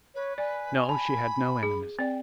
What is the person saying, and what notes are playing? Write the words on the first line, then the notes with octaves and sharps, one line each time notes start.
No, she had no enemies.
B4 C#5
D5 G#5
A5 B5
G#4
C4 D5 G5